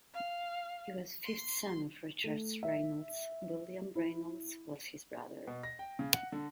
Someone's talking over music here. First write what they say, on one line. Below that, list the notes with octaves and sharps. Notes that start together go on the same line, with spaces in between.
He was fifth son of Richard Rainolds; William Rainolds was his brother.
F5
C6
A3
E5
E4
B2
A#6
G5
C#3
F#5
D3